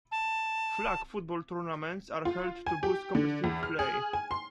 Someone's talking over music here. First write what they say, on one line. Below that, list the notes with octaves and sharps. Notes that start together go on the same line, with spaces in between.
Flag football tournaments are held to boost competitive play.
A5
F4
G#5
G4
D3
E2
F6
G#4
G#5
C6